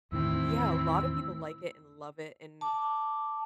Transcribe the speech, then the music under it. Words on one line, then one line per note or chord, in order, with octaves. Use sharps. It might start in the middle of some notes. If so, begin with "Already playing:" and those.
Yeah, a lotta people like it and love it, and
E2 A2 D#3 C4 E4 E6
A5 D6